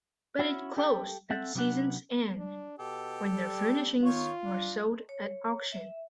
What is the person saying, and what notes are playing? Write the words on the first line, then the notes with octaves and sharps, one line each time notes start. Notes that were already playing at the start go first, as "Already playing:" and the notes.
But it closed at season's end, when the furnishings were sold at auction.
C#4 E4 F#4
G4 A4 G5
C4 A4 E5 F#5
C3 F#3 A#3 B3 D4 F#5
D4
B2 G4 A4
G3
D#3 F4 C#5
D4
C#5
E5